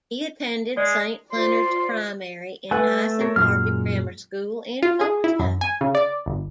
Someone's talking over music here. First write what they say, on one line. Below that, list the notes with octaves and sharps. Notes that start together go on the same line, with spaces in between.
He attended Saint Leonards Primary in Hythe and Harvey Grammar School in Folkestone.
G#3 D5
F4 C5 D5 C6
A3 B4 F#5 G#5
A#4 C#5
F#2 A#2 G#3 F6
F4
G#4
E4
F#2
G#5
C#3
D5
G1